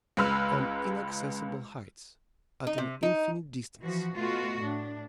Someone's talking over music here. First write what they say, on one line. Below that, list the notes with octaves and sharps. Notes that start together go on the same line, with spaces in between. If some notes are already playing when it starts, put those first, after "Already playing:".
On inaccessible heights--at an infinite distance.
C#2 G#3 B4 B5 E6 F6
D#4
C3
D#4
E3 F3 F#4
B2 A3 F4 F#4
A2 D4